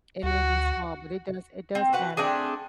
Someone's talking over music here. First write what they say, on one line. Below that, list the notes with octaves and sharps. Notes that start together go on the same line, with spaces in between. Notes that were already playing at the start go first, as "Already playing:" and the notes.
It may be small, but it does it does add up.
D2 F#4
C4
F#4 B4 F#5
A3 C4 D4 G#4